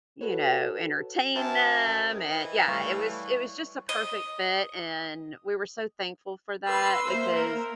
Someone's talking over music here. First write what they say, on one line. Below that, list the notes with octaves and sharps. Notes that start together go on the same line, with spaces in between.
you know, entertain them, and yeah, it was, it was just a perfect fit and we were so thankful for that because
F#4 A4 B4 C#5
F#2 C5 E5 G5 A5
A#4 D#5
E3
G3 A3 C#5 F5
D#5
B4 C6 E6
A#3 C5 E5
A#4